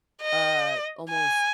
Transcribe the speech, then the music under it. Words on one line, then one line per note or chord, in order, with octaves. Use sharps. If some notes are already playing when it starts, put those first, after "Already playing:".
uh, almost,
D#5
G#5